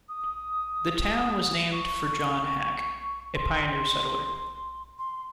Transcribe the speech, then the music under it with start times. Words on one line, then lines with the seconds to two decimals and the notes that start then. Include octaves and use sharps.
The town was named for John Hack, a pioneer settler.
0.09 D#6
1.72 C#6
3.35 C6
4.98 C6